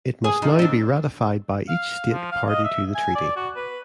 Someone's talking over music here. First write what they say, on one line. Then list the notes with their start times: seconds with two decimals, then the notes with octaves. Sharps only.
It must now be ratified by each state party to the treaty.
0.24 G#4
0.42 F3 D#4
0.59 C4 D4
1.68 F5
2.13 F3
2.32 F5
2.48 D#5
2.64 E5
2.95 G#5
3.15 D5
3.36 F#4
3.56 B4